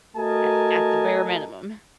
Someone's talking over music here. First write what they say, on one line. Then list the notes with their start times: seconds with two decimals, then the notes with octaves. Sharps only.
at at the bare minimum.
0.17 A3 F#4 A#4 D#5 G#5 A5